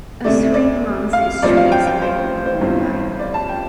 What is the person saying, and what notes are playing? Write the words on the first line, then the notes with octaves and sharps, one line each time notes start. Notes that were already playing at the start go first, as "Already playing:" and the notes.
A three-month history is available online.
D2 C3 A3 D5
D5
F5
A1 G2 F3 C4 F4 D5
F5
G5
G5
C5
C5
G1 G2 G3 C4 F4
D5
A5
G5